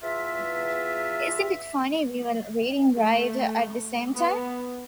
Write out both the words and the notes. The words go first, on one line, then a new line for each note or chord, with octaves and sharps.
Isn't it funny we were reading Wright at the same time.
E2 F4 E5
A3
B3